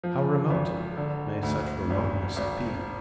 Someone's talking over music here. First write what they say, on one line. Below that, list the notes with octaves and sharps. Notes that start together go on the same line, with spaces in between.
How remote may such "remoteness" be?
F3
G#1
D3
D2
G#1
G#1